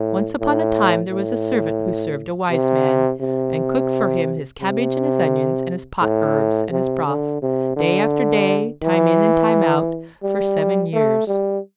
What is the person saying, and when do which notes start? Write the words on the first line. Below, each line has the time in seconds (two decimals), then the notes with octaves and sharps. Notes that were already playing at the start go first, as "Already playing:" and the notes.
Once upon a time there was a servant who served a wise man, and cooked for him his cabbage and his onions and his pot-herbs and his broth, day after day, time in and time out, for seven years.
Already playing: A2
0.40 A2
1.10 A2
2.50 C3
3.21 C3
4.61 C3
6.01 A2
6.71 C3
7.07 D3
7.42 C3
7.76 D3
8.82 E3
10.23 G3
10.93 A3
11.27 G3